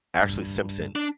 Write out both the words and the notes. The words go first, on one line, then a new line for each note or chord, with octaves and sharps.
Ashley Simpson.
G2
D4